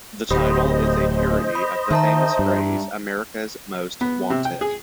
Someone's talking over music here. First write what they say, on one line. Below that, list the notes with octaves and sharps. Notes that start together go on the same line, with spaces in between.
The title is a parody of the famous phrase "America's Most Wanted".
D1 G4 C5 D#5 B5
B5
D#3 E5 A5 A#5
G2
B3
C3
G5
G#4